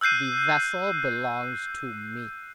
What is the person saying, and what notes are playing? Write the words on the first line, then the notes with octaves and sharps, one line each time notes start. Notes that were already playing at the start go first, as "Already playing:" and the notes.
"The vessel belongs to me."
E6 F#6 G6 C7 D#7